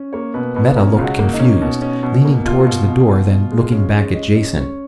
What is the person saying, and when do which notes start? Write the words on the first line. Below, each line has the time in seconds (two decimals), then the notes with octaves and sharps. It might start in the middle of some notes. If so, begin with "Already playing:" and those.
Meta looked confused, leaning towards the door, then looking back at Jason.
Already playing: C#4
0.13 A#3 C#5
0.34 B2 B4
0.55 B2 B4
0.77 C#4 A#4
0.97 C#2 F4
1.04 F#4
1.19 A#3
1.34 D#4
1.39 C#4
1.61 B2
1.82 C#4
2.03 B2
2.25 A#3
2.45 B2 F4
2.66 B2
2.88 B2
3.09 B2
3.31 B2
3.52 G#3
3.72 C#4
3.94 G#3
4.15 G#3 D#5
4.35 C#4 D#5
4.57 C#4 C#5